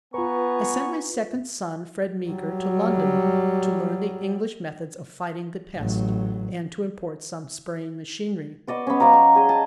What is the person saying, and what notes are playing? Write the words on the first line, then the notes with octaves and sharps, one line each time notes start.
I sent my second son, Fred Meeker, to London to learn the English methods of fighting the pest and to import some spraying machinery.
B3 F4 B4 G#5 A#5 C#6
F#3 G3
A1 F#3
B3 D5 D#5 C#6
B3 C#4
F#3 D5 F5 A#5
C#6
G#4 D#5
A5